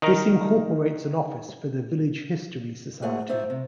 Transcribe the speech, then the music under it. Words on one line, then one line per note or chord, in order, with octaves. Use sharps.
This incorporates an office for the village History Society.
D#3 D#4 A#4
A3 A#3 F#4 G#4 C5 F#5
A3 D#4 F4 C5 D5 E5
C3